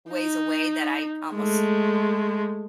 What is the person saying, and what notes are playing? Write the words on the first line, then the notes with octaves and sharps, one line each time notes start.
ways away that I almost
D#4
G#3 A3